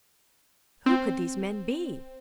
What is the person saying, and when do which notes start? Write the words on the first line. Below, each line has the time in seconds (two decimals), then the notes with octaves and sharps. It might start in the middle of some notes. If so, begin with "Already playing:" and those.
Who could these men be?
0.86 C4